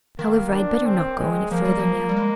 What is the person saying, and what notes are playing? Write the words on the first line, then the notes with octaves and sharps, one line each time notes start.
However, I'd better not go any further now.
D#3 A#3
D4
C4
G#3
F3 A#3
G3
F3
G3
G#3